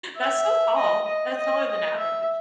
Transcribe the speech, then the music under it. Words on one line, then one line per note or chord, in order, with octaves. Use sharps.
That's so tall. That's taller than average.
E5
D#5
D#5
D#5
D#5
E5